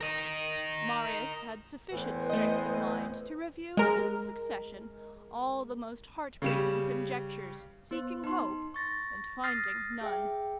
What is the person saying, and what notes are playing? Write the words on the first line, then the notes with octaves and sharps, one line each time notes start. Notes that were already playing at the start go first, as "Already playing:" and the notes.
Marius had sufficient strength of mind to review in succession all the most heart-breaking conjectures, seeking hope and finding none.
A#4 D#5
E2 A2 E3 B4 C5
A3 D#5
G#3 A#4
C#3 G3 E7
B3 C5
D#4 C6
C#6 A6 A#6
D#6 F6 A6 A#6 C7
G#4 E5 G5